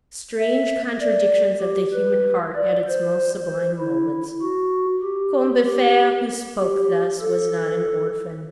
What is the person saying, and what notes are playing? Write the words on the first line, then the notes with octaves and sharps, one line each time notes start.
Strange contradictions of the human heart at its most sublime moments. Combeferre, who spoke thus, was not an orphan.
E5
D5
G4
B4
D5
C5
C5
E4
F#4
G4
G4
G4
A4